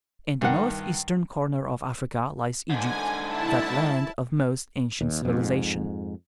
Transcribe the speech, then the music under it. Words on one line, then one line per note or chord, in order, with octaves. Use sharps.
In the northeastern corner of Africa lies Egypt, that land of most ancient civilization.
G2 D#3 F#5
G#2 D3 G#5
E4 A5
D#2
F2 G#2